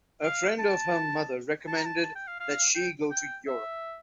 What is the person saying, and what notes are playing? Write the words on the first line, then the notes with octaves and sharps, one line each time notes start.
A friend of her mother recommended that she go to Europe.
F5
A5
A5
A#5
A5
A5
G5
F5
F5
G5
G5
E5